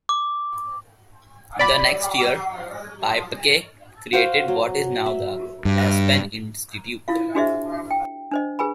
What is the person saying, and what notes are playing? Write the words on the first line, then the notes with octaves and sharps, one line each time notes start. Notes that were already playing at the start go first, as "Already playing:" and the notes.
The next year, Paepcke created what is now the Aspen Institute.
D6
D5 B5
F#4 C5 F5
F#3
E5
G2
E4 F4 F5
D4 F#4 G#4 C5 D#5 E5
G5
D4 C5 D#5
G#4 B4 G#5 B5